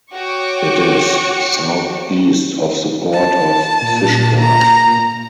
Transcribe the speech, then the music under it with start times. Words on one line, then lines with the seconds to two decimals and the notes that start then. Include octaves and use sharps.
It is southeast of the port of Fishguard.
0.13 F#4 C#5 G5 C#6 D6
3.13 A5
3.82 A#2
4.40 A#5